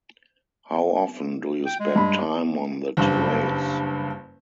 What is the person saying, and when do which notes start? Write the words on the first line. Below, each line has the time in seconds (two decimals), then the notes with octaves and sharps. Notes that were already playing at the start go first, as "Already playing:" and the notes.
How often do you spend time on the terrace?
1.66 G5
1.80 G#3
1.96 G2 B5
2.97 F#1 G2